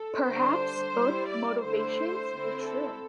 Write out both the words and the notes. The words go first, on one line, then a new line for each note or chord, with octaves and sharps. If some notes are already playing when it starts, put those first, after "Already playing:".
Perhaps both motivations were true.
Already playing: A4
D3 G3 D4 C5
G3 E4
D5
D3 A3 E4 C5
D3 C4 E4
A4